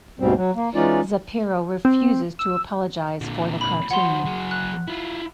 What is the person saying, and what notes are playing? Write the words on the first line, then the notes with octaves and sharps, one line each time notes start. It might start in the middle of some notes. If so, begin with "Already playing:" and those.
Zapiro refuses to apologise for the cartoon.
D2 G#2 B2 G3 C4
F#3
A#3
E3 G#3 C#4 D#4 F4 D5
C4
E6
A#2 D3
B5
F3 F#4 F#5 C6
F#3 G#4
F#6
E4 F4